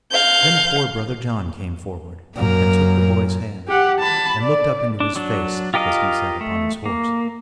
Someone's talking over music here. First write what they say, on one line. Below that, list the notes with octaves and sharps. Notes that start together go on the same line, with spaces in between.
Then poor brother John came forward and took the boy's hand, and looked up into his face as he sat upon his horse.
F5 G6
F#2 A#3 A#4
G4 F#5
A5 B5
D5
D4
F#3 D4
F4 G4 A#4 D#5 F5
A3
A#3